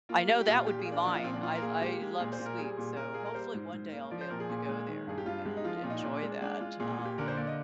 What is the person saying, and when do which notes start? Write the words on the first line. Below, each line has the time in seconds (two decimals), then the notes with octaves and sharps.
I know that would be mine, I I love sweets, so hopefully one day I'll be able to go there and and enjoy that, um,
0.09 A#3 F4
0.28 G3 G4
0.40 G4
0.47 A#2 F4
0.66 A#2 G4
0.79 G#4
0.85 A#3
0.92 D4
1.05 F3 D4
1.14 F4
1.24 A#2 C4
1.34 D4
1.43 A#2 F4
1.55 A#4
1.62 A#3 G#4
1.81 G#3 G4
2.01 G#3
2.19 A#2 G#4
2.32 C5
2.39 A#2
2.46 A#4
2.58 G3 G#4
2.77 A#2
2.96 A#2 A#4
3.14 A#3 G#4
3.25 A#4
3.34 G3 C5
3.54 G#2
3.73 G#2
3.92 A#3
4.11 F3 D5
4.21 C5
4.30 A#2 A#4
4.40 G#4
4.49 A#2
4.69 G#3
4.88 D#3
5.07 G2 G#4
5.18 G4
5.26 G2 F4
5.45 G#3 G4
5.57 D#4
5.64 F3 F4
5.77 F4
5.84 A#2
5.90 D#4
6.03 A#2 D4
6.22 G#3
6.41 G#3 D4
6.61 G#3 F4
6.80 A#2 G#4
6.92 G#4
6.98 A#2
7.05 G4
7.18 D3 A#4
7.28 C5
7.37 A#3 D5
7.47 D#5